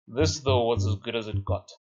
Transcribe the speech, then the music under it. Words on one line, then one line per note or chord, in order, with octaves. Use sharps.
This though was as good as it got.
F#2
G2
G2
G2
F#2